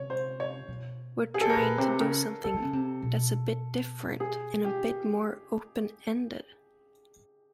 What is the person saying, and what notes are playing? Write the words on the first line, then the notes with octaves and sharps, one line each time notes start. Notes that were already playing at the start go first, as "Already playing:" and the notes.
We're trying to do something that's a bit different, and a bit more open-ended.
Already playing: C3 C#5
C5
C#5
B2
G#4
A4
A#4
A#2 B4
C3
C#3 A#4
C#3 A4
D3
C#3
C3
B2
G#4
G4